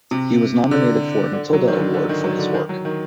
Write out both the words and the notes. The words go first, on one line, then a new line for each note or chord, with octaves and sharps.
He was nominated for a Matilda Award for his work.
C3
D3
D3
F#3
D#3
D3
D3
D#3
F#3
D3
D#3
F#3
D#3